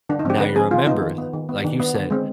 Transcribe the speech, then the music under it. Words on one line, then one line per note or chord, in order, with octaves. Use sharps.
now you're a member th like you said.
D3 D4
D#4
F3 C4 G4
D3 B4
F3 C4 G#4
D#3 F4
B3 D#4
D#3
B3
D#3
B3
D#3 D4
B3
D3
G#3 C4